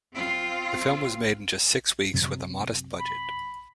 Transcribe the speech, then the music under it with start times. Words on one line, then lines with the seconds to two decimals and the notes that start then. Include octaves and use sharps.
The film was made in just six weeks with a modest budget.
0.14 C4 F4
2.14 F#2 C3
3.00 B5